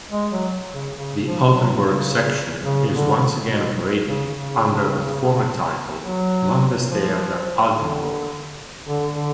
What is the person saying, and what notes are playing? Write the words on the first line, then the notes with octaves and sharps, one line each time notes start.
The Altenburg section is once again operating under the former title "Landestheater Altenburg".
G#3
F#3
C#3
C#3
F3
F#3
C#3
C#3
D3
B2
C#3
C#3
F#3
F3
D3
D3
D3